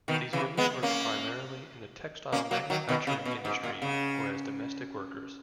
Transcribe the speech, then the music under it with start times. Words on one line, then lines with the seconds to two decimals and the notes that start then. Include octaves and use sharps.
These women worked primarily in the textile manufacturing industry or as domestic workers.
0.08 B2 D#3
0.33 C#3 E3
0.57 G#3 B3
0.82 A#3 C#4
2.32 A#3 C#4
2.51 F#3 A#3
2.70 D#3 F#3
2.89 B2 D#3
3.07 C#3
3.25 B2
3.45 G#2
3.63 A#2
3.82 C#3